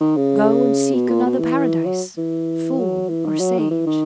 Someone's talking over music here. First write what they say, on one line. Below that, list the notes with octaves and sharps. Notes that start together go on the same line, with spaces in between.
Go and seek another paradise, fool or sage.
D#3
C#3
B2
A#2
B2
E3
F#3
E3
F#3
E3
D#3
F#3
D#3
E3
D#3